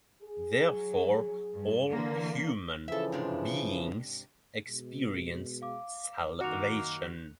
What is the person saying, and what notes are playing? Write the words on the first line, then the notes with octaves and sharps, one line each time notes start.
Therefore, all human beings experience salvation.
G#4
F#3
G2
D3 E3 A#3
C#3 E3 F3 A4 E5
G#2 C3 D4
B2 G#3
F5 D6
F#2 D#3 A#3 F#4 F#6 C#7 F7